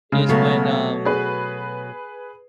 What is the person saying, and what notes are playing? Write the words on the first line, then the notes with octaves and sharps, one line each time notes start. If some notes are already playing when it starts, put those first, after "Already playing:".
is when, um
C#3 G#3
B2 F#3 A3
G#4 B4